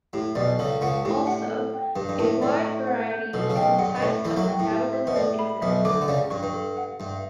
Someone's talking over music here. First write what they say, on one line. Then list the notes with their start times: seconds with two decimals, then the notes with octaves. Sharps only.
Also, a wide variety in the types of metabolism exists.
0.13 A2 G4
0.35 B1 B2 D5
0.59 C#2 C#3 A4
0.81 C#2 C#3 F#5
1.05 A2 G4
1.27 F#5
1.50 A4
1.74 G5
1.96 G2 G4
2.09 G2
2.19 A2 A5
2.42 A2 D5
2.65 C#6
2.87 F#5
3.10 G6
3.34 B1 B2 A4
3.50 C#3
3.56 B1 B2 G5
3.79 G2 F#5
3.96 B2
4.02 A2 C#6
4.25 E2 E3 A4
4.36 F#2 F#3
4.48 G5
4.59 A2
4.70 G4
4.93 E5
5.07 B2
5.16 A2 D5
5.39 B5
5.62 B1 B2 E5
5.85 D2 D3 D6
6.01 D3
6.08 C#2 C#3 D5
6.30 G2 C#6
6.43 G2
6.54 A4
6.77 F#5
7.00 G2 E5